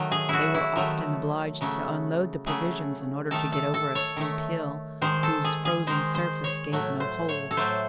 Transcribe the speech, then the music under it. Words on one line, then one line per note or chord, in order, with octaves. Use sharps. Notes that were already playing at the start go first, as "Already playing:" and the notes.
They were often obliged to unload the provisions in order to get over a steep hill, whose frozen surface gave no hold.
Already playing: D#3 F#3 A3
G#4
E4 F#4
E4
D#3 F#3 A3
C#3 F#3 A3
C#3 F#3 A3 G#4
D#3 A3 A4
A4
A4
C#5
D#3 A3
D#3 G#3 C5
A4
G#4
G#4
D#3 G#3 C5
C5
C#5
A2 F#3 A3
C5
C#5
A4
A2 F#3 A3 C5